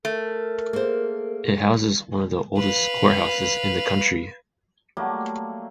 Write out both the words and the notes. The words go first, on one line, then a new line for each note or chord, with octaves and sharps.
It houses one of the oldest courthouses in the country.
A3 A#4
A#3 G#4 C5
B4 F5
F#3 G3 A3 A#3